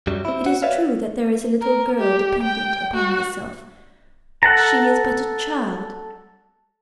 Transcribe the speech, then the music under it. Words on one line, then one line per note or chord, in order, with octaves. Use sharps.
It is true that there is a little girl dependent upon myself, but she is but a child.
F#2 F#3 G3
C4 E4
F#4 F#5
B4 C#5 D5 E5 F5
A#4
G4
G5
F#4
A4 F#5 A5 A#5